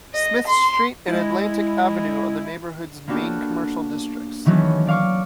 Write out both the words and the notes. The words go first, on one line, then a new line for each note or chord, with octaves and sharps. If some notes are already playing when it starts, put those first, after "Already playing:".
Smith Street and Atlantic Avenue are the neighborhood's main commercial districts.
D#5
C6
G#3 E4
A#3 B3 D4 F#4 G4 A4
D#3 E3 F#3 A3 B3 C#4
D5 F5 C#6 D6